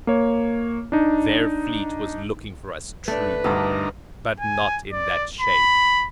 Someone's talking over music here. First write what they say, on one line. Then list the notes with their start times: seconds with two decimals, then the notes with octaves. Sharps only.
Their fleet was looking for us, true, but not in that shape.
0.07 A#3 C#5
0.92 D4 D#4
3.08 A3 D4 B4
3.44 D2 G2 D4 D#4 A4 A#4
4.40 G#5
4.92 D5
5.41 B5